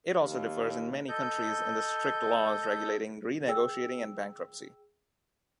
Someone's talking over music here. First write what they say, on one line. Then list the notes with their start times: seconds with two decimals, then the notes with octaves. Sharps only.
It also differs in many countries in the strict laws regulating renegotiating and bankruptcy.
0.21 D#2
1.08 A4 D#5 G6
3.48 G#4 G5 E6